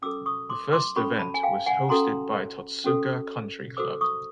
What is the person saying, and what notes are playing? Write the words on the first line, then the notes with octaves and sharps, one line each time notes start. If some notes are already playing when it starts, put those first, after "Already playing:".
The first event was hosted by Totsuka Country Club.
C#4 F#4 A4 D6 E6
C#6 D#6
C6 D6
C6 D6
C#4 F#4 A4 B5 C#6
A5 B5
G#5
F5 G5
F#5 G#5
C#4 F#4 A4 A#5 C6
C#4 F#4 A4
F#4 A4 C5 D6 E6
C#6 D#6